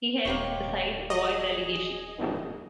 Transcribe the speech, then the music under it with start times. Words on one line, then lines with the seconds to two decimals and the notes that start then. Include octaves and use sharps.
He helped the side avoid relegation.
0.25 D#1 G#3 A#3 G4 C#5
1.10 G#4 D#5